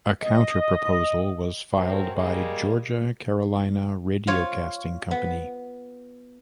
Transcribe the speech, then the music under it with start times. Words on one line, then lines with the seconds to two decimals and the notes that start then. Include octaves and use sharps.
A counterproposal was filed by Georgia Carolina Radiocasting Company.
0.23 D#5
1.76 F#3 A3 C4 C#4 A#4
2.14 G3 G#3 A#3 G#4
4.27 F4 C#5
5.11 B3